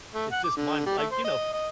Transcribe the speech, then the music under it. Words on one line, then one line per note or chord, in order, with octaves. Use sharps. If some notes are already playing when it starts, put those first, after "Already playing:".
It's just mind like, you know?
A3
F#5
D6
D3
G3
A3
C5
D#5
D#5